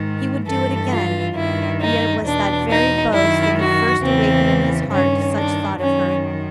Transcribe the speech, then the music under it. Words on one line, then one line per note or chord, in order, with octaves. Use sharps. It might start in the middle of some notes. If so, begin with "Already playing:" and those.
He would do it again, and yet it was that very boast that had first awakened in his heart such thought of her.
Already playing: G#2 D#3
G2 E3 A4
F4
G2 D#3 E4
D#4
E2 B2 D4
D#4
F#2 D#3 E4
F#4
E2 C#3 E3 C4
G2 D#3 C#4
D4
F#2 D#3 C#4